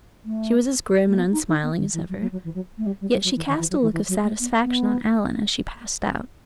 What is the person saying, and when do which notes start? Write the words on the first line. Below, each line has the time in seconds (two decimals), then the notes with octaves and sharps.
She was as grim and unsmiling as ever, yet she cast a look of satisfaction on Alan as she passed out.
0.25 A3
1.09 A3
1.17 B3
1.32 D#4
1.48 D#4
1.62 B3
1.78 D#3
1.93 E3
2.09 F#3
2.21 F#3
2.32 F#3
2.44 E3
2.54 F#3
2.77 A3
2.86 G3
3.01 G3
3.13 G3
3.24 F#3
3.35 E3
3.47 D#3
3.59 E3
3.70 F#3
3.81 E3
3.92 E3
4.08 F#3
4.23 A3
4.39 B3
4.61 B3